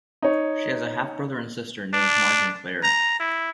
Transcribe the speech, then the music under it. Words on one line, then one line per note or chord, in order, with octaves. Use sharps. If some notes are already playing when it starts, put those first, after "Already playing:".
She has a half-brother and -sister named Mark and Claire.
D#4 C#5
D4
A#5
E4